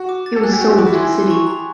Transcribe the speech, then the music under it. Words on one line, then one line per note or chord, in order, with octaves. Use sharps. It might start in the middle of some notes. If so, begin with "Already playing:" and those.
It was sold to the city.
Already playing: F#4
D6
A6
A4
G#4 F#6
G4
F#4 F#6
G4
F#4 D6
E4
G#4 C6
G#5
C#6
A#5